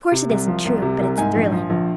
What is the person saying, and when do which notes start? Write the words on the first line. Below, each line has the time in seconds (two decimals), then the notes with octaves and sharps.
"Of course it isn't true, but it's thrilling."
0.12 C3
0.29 C2
0.47 F3
0.65 C2
0.82 C3
0.99 C2
1.18 G#2 G#5
1.35 A#1
1.52 F3
1.70 A#1